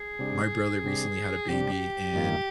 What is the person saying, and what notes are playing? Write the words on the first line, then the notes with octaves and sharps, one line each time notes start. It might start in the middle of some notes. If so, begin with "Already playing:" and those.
my brother recently had a baby, and
Already playing: G#4
C3 G3 D4
C3 G3 D4
C3 G3 D4 G4
G2 D#3 A#3 F4